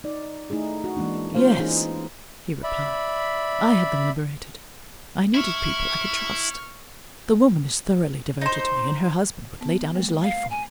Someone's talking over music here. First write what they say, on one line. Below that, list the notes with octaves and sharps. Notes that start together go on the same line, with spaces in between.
"Yes," he replied, "I had them liberated, I needed people I could trust. The woman is thoroughly devoted to me, and her husband would lay down his life for me."
D#4 D5
A3 D#4 E4 G#4
F#4
E3 G#3 A#3 D4
A#3 C#4 F4 C5 F5
E3 D#4 G#4
D5 E5 B5
E4 E5 C#6 F6
D#4 C5
B3
G#3 A#3
F5
G#5